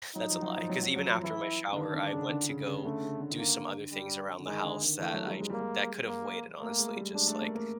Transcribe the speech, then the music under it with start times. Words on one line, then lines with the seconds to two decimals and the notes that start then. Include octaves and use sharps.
that's a lie, 'cause even after my shower, I went to go do some other things around the house that I that could have waited, honestly; Just, like,
0.15 F#3 D#4
0.30 F3
0.42 F#3
0.56 F3
0.69 F#3
0.83 F#3
0.96 F#3
1.10 F3
1.23 E3 E4
1.73 D3
1.76 D#3 D4
1.94 D3
2.13 C#3
2.26 D#3
2.30 D3
2.43 D3
2.49 C#3
2.66 C#3
2.77 C#3
2.84 D3 A3
3.03 C#3
3.20 D3
3.30 D#3
3.38 D3 A#3
3.92 G3
4.39 D3
4.46 D#3 G#3
4.64 D3
4.82 D#3
4.99 E3 A3
5.13 F#3
5.27 G3
5.40 G#3
5.50 G3 A#3
5.60 G#3
6.07 A#3
6.60 A3 A#3
6.78 G#3
6.96 G3
7.14 G#3 D4
7.27 A3
7.41 A#3
7.55 A#3